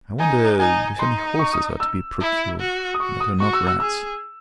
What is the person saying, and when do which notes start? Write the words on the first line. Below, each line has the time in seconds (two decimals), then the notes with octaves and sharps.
I wonder if any horses are to be procured that are not rats.
0.19 D#4 G#5
0.60 D#4 G#5
0.99 D#4 C6
1.39 C#6
1.53 D#6
1.80 E6
2.20 E4
2.60 F#4
2.94 D#6
3.00 F#4 C#6
3.20 D#6
3.40 F#4 C#6
3.53 E6
3.67 E6
3.80 G#4 E6